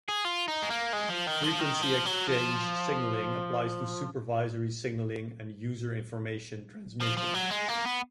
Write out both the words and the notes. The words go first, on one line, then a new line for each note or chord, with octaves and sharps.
Frequency-exchange signaling applies to supervisory signaling and user-information transmission.
G#4
F4
D#4
G#3
A#3
G#3
F3
D#3
F3
D#3
F3
F#3
F3
F3
F3
F#3
G#3
A#3
B3